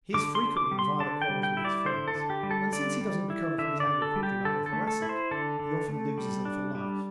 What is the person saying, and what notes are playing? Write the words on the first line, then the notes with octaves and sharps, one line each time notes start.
He is frequently in violent quarrels with his friends, and since he does not recover from his anger quickly like the Thoracic, he often loses them for life.
D3 D6
C6
D3
D6
G3
C6
D3 A5
G5
G3
G5
E4
D5
D3 C5
A4
D3
G4
G3
A4
D3 D5
G3
E4
D3 E5
D5
D3
A4
G3
G4
D3 A4
A4
A3
A4
E4
C5
D3 A4
D3
A3
G3
D4
G3